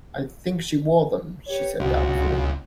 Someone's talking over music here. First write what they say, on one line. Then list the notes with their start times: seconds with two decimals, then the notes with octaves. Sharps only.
"I think she wore them," she said doubtfully.
1.47 G4 B4 C#5
1.80 C#2 F#4